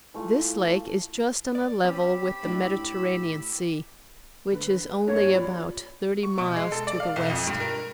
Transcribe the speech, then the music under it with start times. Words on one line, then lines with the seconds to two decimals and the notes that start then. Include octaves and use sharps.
This lake is just on a level with the Mediterranean Sea which is only about thirty miles to the west.
0.14 E3 A3 F4
1.55 D5
1.84 C4 C#4 G4 B5 E6
2.43 A2 D4 E4
4.52 D3 B4
5.07 G2 A#3 C#4 C#5
5.34 F4 D5 B5
6.23 C#6
6.38 B2
6.56 G#3
6.72 A4
6.87 D5
7.00 F5
7.16 B1
7.30 F2
7.47 G2
7.60 A#4